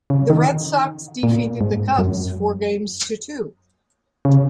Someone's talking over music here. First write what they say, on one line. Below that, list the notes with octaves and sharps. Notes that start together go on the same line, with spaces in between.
The Red Sox defeated the Cubs four games to two.
C#3
D#3
A#2
G#2
F#2
C#3